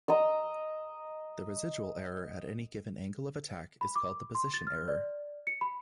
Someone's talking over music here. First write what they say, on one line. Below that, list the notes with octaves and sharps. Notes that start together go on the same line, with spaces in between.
The residual error at any given angle of attack is called the position error.
D#5 A#5 E6
B5
D6
C6
A6
F6
D5
C#7
B5